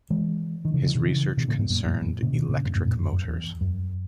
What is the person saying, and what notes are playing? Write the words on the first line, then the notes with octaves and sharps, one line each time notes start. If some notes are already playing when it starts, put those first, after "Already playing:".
His research concerned electric motors.
E3 G#3
D#3
C#3 E3
C#3 E3
B2 D#3
C#3 E3
B2 D#3
A#2 C#3
G#2 B2
F#2 A#2
F#2 A#2
F#2 A#2
A#2 C#3
B2 D#3
A#2 C#3
F#2 A#2
F#2 A#2
F#2 A#2
F#2
F#2
E2
F#2